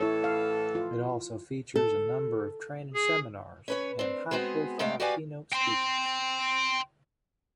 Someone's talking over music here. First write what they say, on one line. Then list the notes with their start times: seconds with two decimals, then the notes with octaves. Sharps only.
It also features a number of training seminars and high-profile keynote speakers.
0.01 A2 E3 E4 A4 C#5
0.24 F5
0.75 F4
1.76 A4
2.94 G#4
3.68 C#4 B4 C#5
3.99 C4 D4
4.31 G#3 B3 C4 F#4 G#4
4.79 G2 G#3 A3 F5 G5
5.00 F#4 G4 B4 D5 F5 G#5
5.52 G5 C6